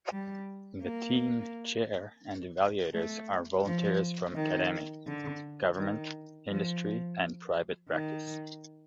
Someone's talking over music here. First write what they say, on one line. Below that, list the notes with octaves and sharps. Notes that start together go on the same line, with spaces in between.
The team chair and evaluators are volunteers from academe, government, industry, and private practice.
G3
A#3
A3
F3
D#3
D3
D#3
F3
D#3